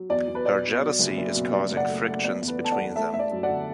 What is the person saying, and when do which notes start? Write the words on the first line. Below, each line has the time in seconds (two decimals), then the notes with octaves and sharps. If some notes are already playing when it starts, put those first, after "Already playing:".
Her jealousy is causing frictions between them.
Already playing: F#3
0.10 E2 D5
0.28 E2
0.35 B4
0.46 B2 D5
0.63 B2
0.81 F#3
0.99 F#1
1.17 F#1
1.35 B2
1.53 F#1 D5
1.71 F#1
1.77 D5 F#5
1.88 A3
2.07 A3
2.24 B3 D5
2.42 E2
2.48 B4
2.60 E2 A5
2.72 D5 F#5
2.78 E2
2.96 A3 E5 A5
3.14 A3 E5
3.19 D5
3.31 F#2
3.43 D5 F#5
3.49 D3